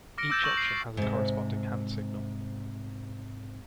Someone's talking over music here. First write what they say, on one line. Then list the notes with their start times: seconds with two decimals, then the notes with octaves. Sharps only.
Each option has a corresponding hand signal.
0.18 D6 F6 A#6 C#7 D7
0.30 D6 E6 G6 A6 E7
0.44 C#6 F#7
0.58 C7
0.97 G#2 C3